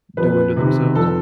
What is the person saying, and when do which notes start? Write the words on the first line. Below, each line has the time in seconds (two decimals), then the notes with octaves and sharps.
doing to themselves.
0.17 F2 B4
0.57 C3 D#3
0.95 F2 A4